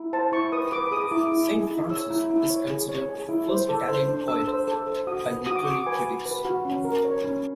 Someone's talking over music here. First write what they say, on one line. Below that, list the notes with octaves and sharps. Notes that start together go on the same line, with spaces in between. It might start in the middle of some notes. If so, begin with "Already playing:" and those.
Saint Francis is considered the first Italian poet by literary critics.
Already playing: E4
C5 A5
E4 C#6
B4 D#6
B4 D6
G#4 D#6
E4 D6
E4
G#4
E4
C#5 E6
E4
E4
C#5
G#4
C#5
G#4
E4
C5
A4
C5
D4
A4 E6
C5
A4
C5
F#4 D#6
B4
F#4 D#6
D6
F#4 C#6
D6
B4 G#5
F#4
B4
F#4
C#4
A#4
C#5
C#4